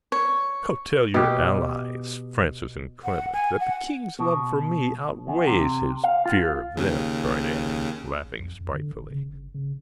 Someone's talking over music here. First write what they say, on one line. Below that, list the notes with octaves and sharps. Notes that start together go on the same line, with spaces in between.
"Go, tell your allies, Francis and Clement, that the king's love for me outweighs his fear of them," cried Anne, laughing spitefully.
C#5
B2 G4
F#5
G#5
F#5
B2
E2
C3
F5
F4
D#2 C#3
A1
F2
F2
D3
G1
C#3
G1
C#3